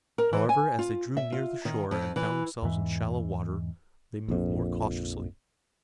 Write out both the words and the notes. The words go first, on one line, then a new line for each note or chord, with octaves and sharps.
However, as they drew near the shore and found themselves in shallow water they moved more cautiously.
A#4
E3
G#5
F4
E5
F4
D#3
F2
E3
E2 G#2 E3
A#1 F2